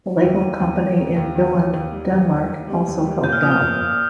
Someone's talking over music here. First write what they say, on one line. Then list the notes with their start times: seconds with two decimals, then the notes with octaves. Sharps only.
The Lego company in Billund, Denmark also helped out.
0.22 D#2 D#7
0.41 D#2
0.60 D#2
0.79 D#2
0.98 D#2
1.16 D#2
1.35 D#2
1.54 D#2
1.73 D#2
1.92 G3
2.11 D#2
2.30 D#2
2.48 D#2
2.67 G3
2.87 D#2
3.05 G3
3.24 A#2 G6
3.33 F6
3.43 F3 D#6
3.52 F6
3.62 A#2
3.80 A#2